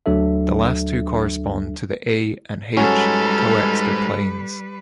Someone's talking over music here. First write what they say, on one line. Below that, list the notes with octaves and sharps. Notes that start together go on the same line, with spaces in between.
The last two correspond to the A and H Coxeter planes.
D2 F#3 D4 A4 E5
G#2 F#3 G3 C#4 A4 B4 F6